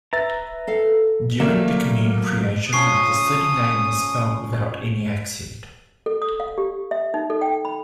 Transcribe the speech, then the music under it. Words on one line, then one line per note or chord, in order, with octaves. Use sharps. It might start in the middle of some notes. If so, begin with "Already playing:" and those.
During the commune creation, the city name was spelled without any accent.
B4 E5 A#5 A6
A4 F5
F#3 A3 A#3 D5 E5 F5
C#3 F3 C#4 C#6 D#6 C7
A4
D#6
F5
G4
E5
D#4
A4
G5
B5